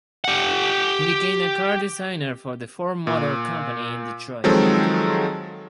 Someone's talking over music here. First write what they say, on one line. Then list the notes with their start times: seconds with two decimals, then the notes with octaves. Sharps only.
He became a car designer for the Ford Motor Company in Detroit.
0.24 G4 F#5
3.07 A#2
4.44 D#3 F3 F#3 G#3 C4 A4